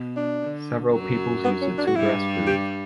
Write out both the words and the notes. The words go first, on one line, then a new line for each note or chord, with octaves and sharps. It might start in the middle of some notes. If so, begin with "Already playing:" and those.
Several peoples use the tuber as food.
Already playing: B2
D4
D3
F#2 F#3
B3
C#4
D4
F#4
G2 G3 E4
G4